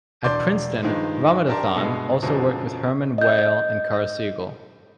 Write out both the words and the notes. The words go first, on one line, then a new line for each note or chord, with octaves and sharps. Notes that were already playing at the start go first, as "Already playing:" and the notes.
At Princeton, Ramanathan also worked with Hermann Weyl and Carl Siegel.
E1 D4 D5 C6 D6 G6
G2 D#3 F3 G#3
D4 G4 A#4 A5 C6
G2 B2 G#3 A3 B3
F#2 B2 D3 F3 G#3
D#5 G6